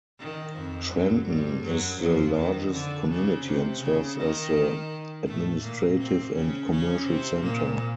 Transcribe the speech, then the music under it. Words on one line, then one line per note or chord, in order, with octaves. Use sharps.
Trenton is the largest community and serves as the administrative and commercial centre.
D#3
F2 F3
F#2 F#3
G2 G3
F#2 F#3
F2 F3
D#3
D3
C#3
C3
C#3
D#3
A2 A3
A#2 A#3
C3 C4
C#3 C#4
C#3 C#4
C3 C4
A#2 A#3